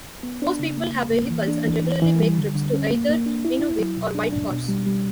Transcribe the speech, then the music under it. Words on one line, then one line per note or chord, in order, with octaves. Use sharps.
Most people have vehicles and regularly make trips to either Inuvik, or Whitehorse.
B3
D4
C#3
A#3
A#3
A#3
E3
D4
E3
E3
E3
G3
D3
D3
C#4
A#3
A#3
D4
E4
E4
F#3
B2
D4
D4
B2
G3
G3